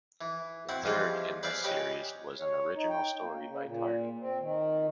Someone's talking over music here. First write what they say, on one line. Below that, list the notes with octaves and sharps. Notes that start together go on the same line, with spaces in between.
The third in this series was an original story by Tardi.
E3
C4 E4 F#4
E3 F3 G3 G#3 F4
B4 C5 D5 E5 F5 G#5
G4 B4 C#5 D#5 G5 G#5
C#5
D#4
G5
A#3
C#3
A#2
C4
D#3